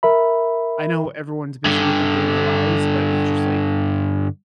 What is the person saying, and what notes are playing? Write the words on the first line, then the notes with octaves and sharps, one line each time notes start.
I know everyone's busy with their daily lives, but it's just like
A#4 E5 B5
G2 D3